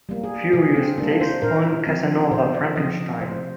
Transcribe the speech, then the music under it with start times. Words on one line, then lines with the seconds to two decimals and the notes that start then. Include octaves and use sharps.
Furious takes on Casanova Frankenstein.
0.09 G3 A#3
0.23 G#4
0.53 C3 G#4
0.76 C4
0.98 G3 A#3 D4
1.20 C5
1.42 A#2 A#4
1.87 F3 C4
2.31 A#2 C5
2.54 D5
2.76 F3 C4 D#5
3.21 C3 C5